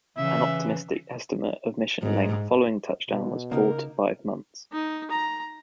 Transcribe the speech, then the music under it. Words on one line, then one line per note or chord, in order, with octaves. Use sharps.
An optimistic estimate of mission length following touchdown was "four to five months".
C#3 E3 E5
G#2
B2
C#3 A#3 D#4 A#4 F#5
D#4
A#5